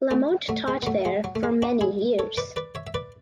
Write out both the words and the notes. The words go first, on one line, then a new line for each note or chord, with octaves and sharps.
La Motte taught there for many years.
A3 C#4
F#3 A3
G#3
B3
F#3 A3
G#3
F#3
A3
G#3
D4 F#4
E4 G#4
A4 C#5
B4 D5
B4 D5
C#5 E5
E5
B4 D5